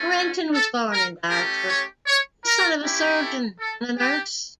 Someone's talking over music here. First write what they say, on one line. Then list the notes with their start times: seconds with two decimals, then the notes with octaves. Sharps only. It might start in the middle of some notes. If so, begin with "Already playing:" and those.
Renton was born in Dartford, the son of a surgeon and a nurse.
Already playing: A3 C#4 F4
0.53 A4
0.92 A#4
1.30 A3 C#4 G4 A#4
1.69 C#5
2.07 C#5
2.45 A#4
2.83 C#4 E4 G4
3.22 A4
3.60 A4
3.98 G4